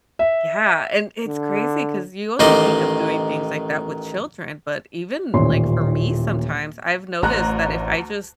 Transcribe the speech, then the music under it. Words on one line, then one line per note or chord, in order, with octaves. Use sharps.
Yeah, and it's crazy 'cause you only think of doing things like that with children, but even, like, for me sometimes, I've noticed that if I just
E5
D3
A1 D#3 C5 D5 D#5
D#1 A1 A#2 A#3 C#5 C6
A1 D2 A#5 F#6